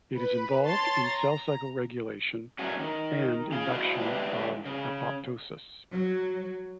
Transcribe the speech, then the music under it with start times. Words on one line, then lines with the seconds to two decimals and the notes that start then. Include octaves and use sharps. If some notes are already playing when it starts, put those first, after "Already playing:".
It is involved in cell cycle regulation, and induction of apoptosis.
0.17 B4
0.64 C#5 A5 C6 A6
1.08 A#5
2.59 A#2 F#3 G#3 A3 C#4 F#4
2.79 D#3
3.52 C#4 G#4 C#5 F5
3.69 E4 F#4 C5 D5 D#5 F5
4.00 D3 E3 G#3 D4 G4
4.65 C#3
5.93 F#3